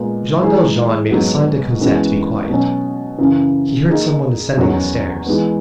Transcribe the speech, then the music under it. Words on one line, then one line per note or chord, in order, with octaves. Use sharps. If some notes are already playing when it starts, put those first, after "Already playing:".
Jean Valjean made a sign to Cosette to be quiet. He heard some one ascending the stairs.
Already playing: A#2 G#3 B3 D#4
E3 G#3 D#4 G#4
G#2 F#3 B3 F#4
F#2 E3 G#3 B3 F#4
B2 F#3 C#4
F#2 C#3 E3
D#3 A#3 D#4 G#4
E2 D#3 F#3 C#4 F#4
E3 G#3 B3